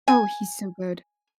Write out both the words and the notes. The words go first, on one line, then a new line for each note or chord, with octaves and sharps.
Oh, he's so good.
G#5